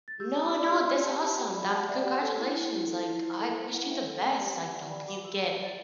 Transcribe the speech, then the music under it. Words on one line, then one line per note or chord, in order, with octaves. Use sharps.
No, no, that's awesome. Dam congratulations, like, I wish you the best, I hope you get
A6
G4 E6 G6
G4
B5 D6
D5
G4
D5
G4 A5
B5
G4 A5 C6
G4 G5 B5
D5 G5 B5
G4 F#5 A5
D5 E5 G5
G4 F#5
A4
E4
E4
E4
A4
E4
E4
A4
C5
E4 F#5
C5 E5 G5
A4
D5 G5 B5
G4 G5 B5
G4 F#5
D5 F#5 A5
D5 G5 B5
G4 B5 D6
G4 C6 E6
D5
D5
A6